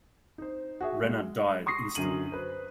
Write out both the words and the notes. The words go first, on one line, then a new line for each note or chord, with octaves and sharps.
Renna died instantly.
D#4 C5
F#4 G#4 E5
G#3
C6 C#6 D#6 A#6 C7
F#2 D3 D#7 F#7
B4 C5